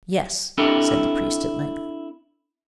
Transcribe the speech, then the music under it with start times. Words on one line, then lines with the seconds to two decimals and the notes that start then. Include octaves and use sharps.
"Yes," said the priest at length.
0.58 C4 D4 E4 G4 A4 A#4